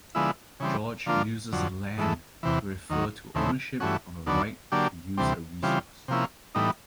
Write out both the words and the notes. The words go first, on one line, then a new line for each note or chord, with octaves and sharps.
George uses "land" to refer to ownership of a right to use a resource.
D3 F3 G#3 B3 E4
C#3 E3 G3 C4
D3 F3 A#3 D4 F4
F2 D3 F#3
G#2 E3 A3
E2 C3 E3
D#2 D#3 F#3
D#2 C#3 E3 A3 C4
G2 E3 A3 C#4 F#4
D#2 D3 F#3 B3 D4
D3 F#3 A#3 D4 G4
D2 C3 E3 G3 C4
C#3 E3 G3 C4 F4
C3 F3 A#3 C#4 E4
A2 E3 G3 B3 D#4